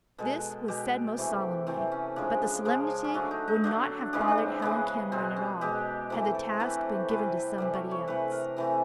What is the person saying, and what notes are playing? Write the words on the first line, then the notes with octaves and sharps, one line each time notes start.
This was said most solemnly; but the solemnity would not have bothered Helen Cameron at all, had the task been given to somebody else!
B2 G#3 A4
B2 G#3 G4
C3 E3 A3
C3 E3 A3 C4
C#4
C#3 F3 G#3 D4
C#3 F3 G#3
C#4
D3 F#3 A3 D4
D#4
D#4
D3 F#3 A3 D4
C#3 E3 G#3 D4
C#4
D4
C4
C#3 E3 G#3 B3
B2 G#3 C4
C#4
B2 G#3 G4
C3 E3 A3 A4
A4
C3 E3 A3 B4
C3 E3 G3 B4
C3 E3 G3 D5
C#5
C#5
C3 E3 A3 B4
A#4
C3 E3 A3